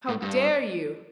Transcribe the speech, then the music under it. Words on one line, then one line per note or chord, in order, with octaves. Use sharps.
How dare you?
A2
G2